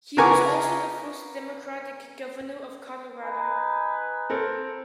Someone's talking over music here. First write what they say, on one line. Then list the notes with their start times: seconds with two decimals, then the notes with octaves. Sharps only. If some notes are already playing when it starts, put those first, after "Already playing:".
He was also the first Democratic governor of Colorado.
0.17 C#3 B3 A#4 G#5 C#6 D6
3.22 D#4 B4 G#5
4.30 C4 A4 A#4